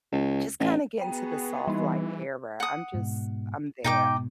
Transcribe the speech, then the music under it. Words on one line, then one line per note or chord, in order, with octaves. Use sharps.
just kind of get into the soft life era. I'm just, I'm there.
C#2
A1
B3 F#4 G#4 G5
E3 G3 D#4
F#5 D#6
G#2 B2
G#2 B2 D#4 G5 D6